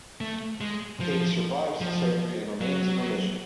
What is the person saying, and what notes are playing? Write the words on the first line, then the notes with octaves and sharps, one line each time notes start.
Kate survives the surgery and remains in remission.
A3
G#3
F3
F3
F#3